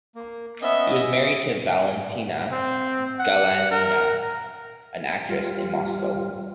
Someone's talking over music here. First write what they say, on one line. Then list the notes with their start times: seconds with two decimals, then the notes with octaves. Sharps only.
He was married to Valentina Galanina, an actress in Moscow.
0.15 A#3
0.62 B3 C#4 D#5 E5
2.52 C4
3.19 F#5
3.71 A#4
5.29 G3 F4